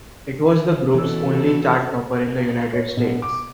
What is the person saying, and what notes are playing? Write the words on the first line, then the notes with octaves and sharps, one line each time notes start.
It was the group's only chart-topper in the United States.
B2 E3 C#4 A4 E6
C#5
B2
D6